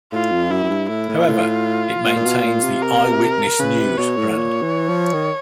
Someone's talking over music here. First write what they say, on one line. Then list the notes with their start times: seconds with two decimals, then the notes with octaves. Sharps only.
However, it maintains the "Eyewitness News" brand.
0.12 A2 F4
0.32 F2
0.51 F#2 E4
0.64 F#2
0.70 G2
0.89 A2 E4
1.09 A2
1.19 A#2
1.28 A2 F4
2.05 A#2
2.16 A#2
2.25 B2
2.44 A#2
2.63 C3
2.82 A#4
3.59 C#3 B4
3.79 C3
3.98 B2 C#5
4.17 A2
4.36 A#2 C#5
4.62 E3
4.89 F3
5.13 D#3